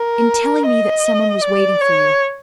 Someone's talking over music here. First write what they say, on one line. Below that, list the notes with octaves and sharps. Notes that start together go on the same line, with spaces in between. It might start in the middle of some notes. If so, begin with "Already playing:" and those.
"In telling me that some one was waiting for you."
Already playing: A#4
D#5
D5
C#5